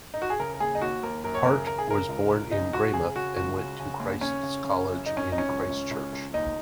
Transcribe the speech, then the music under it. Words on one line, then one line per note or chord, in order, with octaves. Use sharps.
Hart was born in Greymouth and went to Christ's College in Christchurch.
D#4
F#4
G#4
C#3 A#4
A#4
D#2 G#4
D#4
D#2 F#4
D#2 A#4
F#2 A#4
C#5
C#3 A#4
C#3 A#4
G#4
C#3 A#4
C#2
C#2
C#3 D#4
C#2 F#4
C#3 G#4
C#3 F#4
C#2 F#4
C#3
C#3
D#2
C#3 C#4
C#3
C#3
F#2
F#2 D#4
C#4
F#2
D#4
C#4
C#2
C#2
C#2
C#2
D#2 D#4